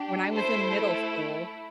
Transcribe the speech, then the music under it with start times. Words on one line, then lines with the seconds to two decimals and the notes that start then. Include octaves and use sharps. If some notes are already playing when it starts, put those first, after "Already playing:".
When I was in middle school
Already playing: D4 G4
0.33 A3 E4 A4 C5